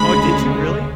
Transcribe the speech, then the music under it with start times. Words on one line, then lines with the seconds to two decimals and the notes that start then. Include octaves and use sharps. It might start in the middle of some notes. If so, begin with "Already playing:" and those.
Oh, did you really?
Already playing: D2 C#3 G#3 B5